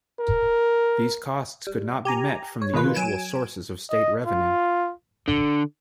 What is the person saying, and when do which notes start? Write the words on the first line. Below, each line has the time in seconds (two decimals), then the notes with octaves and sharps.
These costs could not be met from the usual sources of state revenue.
0.20 A#4
1.67 G3
2.05 G4 G#5 A#5
2.62 C#5
2.74 B2 D#3 G#3 F4 B4
2.95 F#3 G#5 D7 E7
3.90 D#5
4.26 F4
5.28 D3